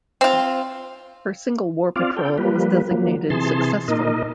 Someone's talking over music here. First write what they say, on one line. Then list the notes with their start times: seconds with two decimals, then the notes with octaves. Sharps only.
Her single war patrol was designated "successful".
0.21 C4 F4
1.96 C4 F4 D5 F5
2.17 A4 G5
2.38 F3 G3 A#3 B4
2.91 F3 F#3 A#3
3.30 C3 E3 G#4 A5 C6
3.88 A#2 D#4 A#4 D#5